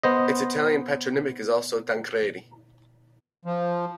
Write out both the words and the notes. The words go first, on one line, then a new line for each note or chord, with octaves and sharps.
Its Italian patronymic is also Tancredi.
B3 C5 D#5
F3